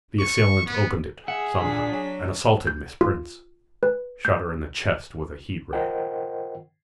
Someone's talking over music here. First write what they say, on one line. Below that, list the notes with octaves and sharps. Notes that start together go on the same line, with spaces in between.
The assailant opened it somehow, and assaulted Miss Prince--shot her in the chest with a heat ray.
C#6
B3
G#4 E5 F#5
A#2 D4 B6
F#3
G6
F4
B4
G6
F4 A#4 C5 D#5 F#5 G5